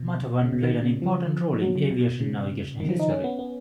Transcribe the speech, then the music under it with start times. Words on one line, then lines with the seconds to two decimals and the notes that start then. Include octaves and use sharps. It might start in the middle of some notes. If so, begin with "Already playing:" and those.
Matawan played an important role in aviation navigation history.
Already playing: B2
0.43 C#3
0.53 B2
0.63 D#3
0.73 B2
0.82 C#3
1.02 F3
1.61 F#3
1.76 C#3
1.91 B2
2.21 C#3
2.80 D#3
2.89 F3
2.99 D#4
3.10 C#4
3.24 B3
3.39 B3